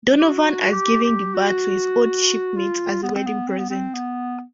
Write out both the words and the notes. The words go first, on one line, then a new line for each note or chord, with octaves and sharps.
Donovan has given the bar to his old shipmate as a wedding present.
G4
F#4
G4
G4
F#4
F4
B3
C4
B3
C4
B3
C4
B3